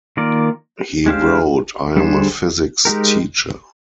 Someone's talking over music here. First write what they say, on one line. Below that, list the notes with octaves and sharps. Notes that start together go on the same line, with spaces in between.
He wrote: I am a physics teacher.
D#3 A#3 F4 A#4 D5
G#3 D4 G4 C5 F5
D3 G3 D4 G#4 C5
G#3 D#4 G4 A#4